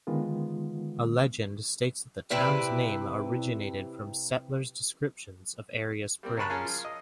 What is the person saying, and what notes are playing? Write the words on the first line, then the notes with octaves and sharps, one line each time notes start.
A legend states that the town's name originated from settler's descriptions of area springs.
D3 D#3 G#3 B3 F4
C3 E4 B4 D5
G3 A#3 C4
C#2 A#4 C#5 A5 B5 F#6
C#4 F4 G#4 A#4 F5
F3 F4
D#5